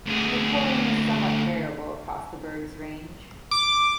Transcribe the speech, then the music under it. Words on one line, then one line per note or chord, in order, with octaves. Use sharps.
The colouring is somewhat variable across the bird's range.
D2 G#4
D6